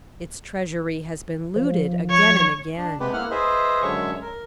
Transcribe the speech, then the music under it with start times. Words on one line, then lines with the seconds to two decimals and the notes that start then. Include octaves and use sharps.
Its treasury has been looted again and again.
1.56 F3
2.11 C#5
2.77 D4
3.00 C3 G#3 B3 G4 B4
3.13 A#3 E4 F#5 F6
3.31 G#4 B4 C5 D#5 E5
3.82 F#2 D3 G#3 C#5 E5 C#6
4.21 A#4